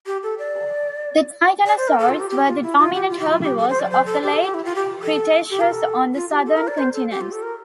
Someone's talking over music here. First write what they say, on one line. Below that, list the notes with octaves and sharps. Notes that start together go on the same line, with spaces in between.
The titanosaurs were the dominant herbivores of the Late Cretaceous on the southern continents.
G4
A4
D5
D5
C5
A#4
A4
F4
G4
G4
F4
E4
F4
G4
F4
G4
F4
G4
A4
C5
D5
C5
A4
G4
A4
G4
E4
F4
G4
A4
G4
A#4
A4
F4
G4
A4
A#4
D5
C5
A4
G4
F4
A4
A#4